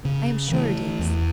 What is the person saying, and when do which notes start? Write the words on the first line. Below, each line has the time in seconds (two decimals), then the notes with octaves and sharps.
"I am sure it is."
0.05 C#3
0.51 E3 A3
0.99 E2